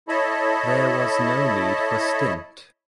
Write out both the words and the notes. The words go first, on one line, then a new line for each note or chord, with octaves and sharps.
There was no need for stint.
E4 A4 C#5 D#5 A5 B5